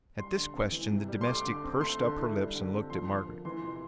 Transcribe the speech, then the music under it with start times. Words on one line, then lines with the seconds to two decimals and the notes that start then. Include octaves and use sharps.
At this question the domestic pursed up her lips and looked at Margaret.
0.18 G3 C6
0.37 D3
0.54 C4
0.72 E3
0.91 C3
1.08 G3
1.21 C6
1.27 A3 D6
1.46 D3
1.64 C4
1.81 A3 C6
2.00 D3
2.18 E4
2.36 G3
2.55 D3
2.73 C4
2.90 F3 C6
3.08 D3
3.26 A#3
3.45 E3 C6
3.63 C3 C6